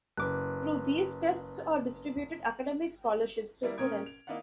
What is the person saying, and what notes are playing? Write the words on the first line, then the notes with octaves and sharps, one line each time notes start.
Through these tests are distributed academic scholarships to students.
F#1 B4 D6 F#6
G3 A#3 E4 A#4 D5
A#2 C#4 A#4 D#6 G#6 D7
F7
A#3 D#4 E4 D5 F5 F#5